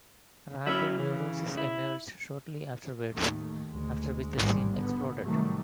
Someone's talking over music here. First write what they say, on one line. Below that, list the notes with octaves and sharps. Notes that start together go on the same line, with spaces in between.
Rabid Neurosis emerged shortly afterwards, after which the scene exploded.
F#3 C#4 E4 E5 B5
C#3 E3
E4
D#2 A2 D#3 A3
D2 G#3
A1 D#2 G#2 D#3 G3 G#3
D3 B3
A2 C3 D#3 F#3 G3 A3